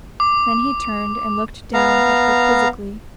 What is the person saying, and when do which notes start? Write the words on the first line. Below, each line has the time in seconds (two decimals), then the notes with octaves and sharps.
Then he turned and looked down at her quizzically.
0.20 D6
1.74 B3 F5 A#5